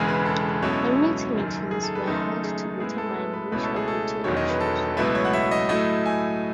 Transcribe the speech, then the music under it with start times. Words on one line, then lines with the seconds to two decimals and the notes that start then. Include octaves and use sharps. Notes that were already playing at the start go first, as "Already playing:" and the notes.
Community meetings were held to determine which of the two options would be better.
Already playing: E1 E2 C#3 E3 G#3 G#5
0.08 B4
0.26 A4
0.62 C#2 B2 F#3 C#4 E4
1.35 F#1 F#2 D#3
1.71 G#4
1.83 A4
1.95 B4
2.07 F#1 F#2 D#3 A3 D#4 A4
2.44 G#4
2.79 A2 G#3 B3 E4 G#4
2.98 A4
3.15 B4
3.33 B4
3.52 C#2 B2 A3 C#4 E4 B4
3.64 A4
3.76 G#4
3.88 A4
4.24 E1 E2 D#3 F#3 C#5
4.37 D#5
4.48 B4
4.60 A4
4.97 C#2 B2 F#3 A3 E4 B4
5.15 C#5
5.25 F#5
5.33 E5
5.51 D#5
5.69 A2 F#3 A3 E4 D#5
6.06 G#5